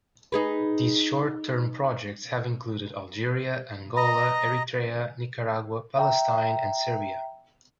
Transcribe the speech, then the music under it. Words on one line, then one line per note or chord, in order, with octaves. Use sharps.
These short-term projects have included Algeria, Angola, Eritrea, Nicaragua, Palestine and Serbia.
D#4 G#4 B4
D#5 A#5
E5 G5 A#5